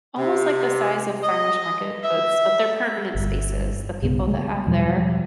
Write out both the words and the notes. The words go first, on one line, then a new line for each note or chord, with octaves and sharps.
almost like the size of farmers' market booths, but they're permanent spaces, the people that have their
C3
D#5
E5
G1 G2
B1 G2 C#3 B3
G#3
E2 B2 F3 G3